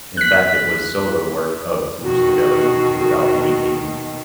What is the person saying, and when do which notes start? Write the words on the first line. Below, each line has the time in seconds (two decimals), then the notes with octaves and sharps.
In fact it was solo work of Rustaveli without any team.
0.17 F#6 B6
2.04 B2 D#3 F#4